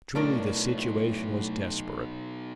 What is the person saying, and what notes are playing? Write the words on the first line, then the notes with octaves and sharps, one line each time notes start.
Truly the situation was desperate.
B1 A2 C#4 D4 A#4